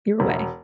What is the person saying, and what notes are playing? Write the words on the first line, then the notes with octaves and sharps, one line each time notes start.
your way,
E1